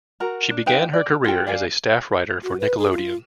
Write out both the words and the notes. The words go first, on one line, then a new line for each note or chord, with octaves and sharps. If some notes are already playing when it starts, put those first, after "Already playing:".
She began her career as a staff writer for Nickelodeon.
F#4 A#4 A#5
D4
D#4 B4 F5 G5
D5
F4 F#4 A4 G5
D5 F5 G#5
F#4
B4
G#4
F4